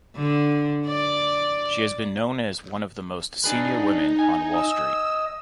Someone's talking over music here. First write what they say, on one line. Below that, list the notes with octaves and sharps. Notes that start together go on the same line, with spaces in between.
She has been known as one of the most senior women on Wall Street.
D3
D5
D4 D#4 G#4 B4
G#5
D#5 E6